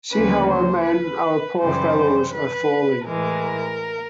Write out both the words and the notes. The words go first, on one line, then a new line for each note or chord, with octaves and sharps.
See how our men, our poor fellows, are falling.
D2 C#3 F3 A#3 C#4 B4
C5
B4
F#2 C#3 E3 G3 C5
B4
A2 E3 G#3 A#4